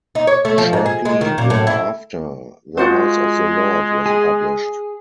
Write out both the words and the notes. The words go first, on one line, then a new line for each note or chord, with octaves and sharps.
Shortly thereafter, "The House of the Lord" was published.
D#4
C#5
A3
F3
G#2
G#4
G#3
D#3
A#2
A2
E4
G#3 F4 F#4 C5
G#4